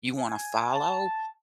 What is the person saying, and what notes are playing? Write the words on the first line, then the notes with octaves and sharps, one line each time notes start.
you wanna follow
G#5
A5